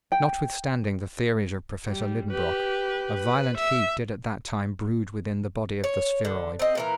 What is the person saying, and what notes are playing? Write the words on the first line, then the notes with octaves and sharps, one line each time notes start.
Notwithstanding the theories of Professor Liedenbrock, a violent heat did at that time brood within the body of the spheroid.
G5
G3
G4 B4
B4
E5
C#5
D3
C4 D#5
A#2 E3 A#4